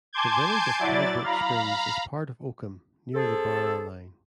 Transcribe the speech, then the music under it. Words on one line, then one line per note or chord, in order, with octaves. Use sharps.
The village of Coldbrook Springs is part of Oakham, near the Barre line.
G#5 A5 C6 D6 G6 G#6
F#3 E4 D5 A6
F5 A#5 B5
C4 G#4 A4